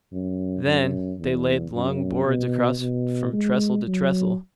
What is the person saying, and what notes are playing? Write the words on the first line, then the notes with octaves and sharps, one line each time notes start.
Then they laid long boards across from trestle to trestle.
F#2
F#2
E2
F#2
B2
B2
G#3
F#3